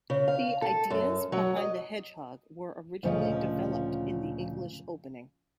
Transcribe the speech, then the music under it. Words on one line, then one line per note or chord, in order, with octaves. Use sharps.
The ideas behind the Hedgehog were originally developed in the English Opening.
C#3
F5
A4
F#2
F#3
D#5
D2 A#2 C#3 F3 C#4 D#5